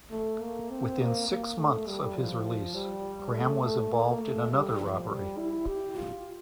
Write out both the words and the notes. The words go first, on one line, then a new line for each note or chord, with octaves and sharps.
Within six months of his release, Graham was involved in another robbery.
A3
A#3
C4
A#3
A#3
A3
G3
F3
G3
A3
A3
A#3
A3
G3
F3
G3
E4
G4
F4